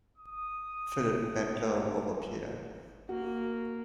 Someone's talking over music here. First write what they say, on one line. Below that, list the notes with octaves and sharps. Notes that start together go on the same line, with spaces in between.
Philip bent low over Pierre.
D#6
A#3 F#4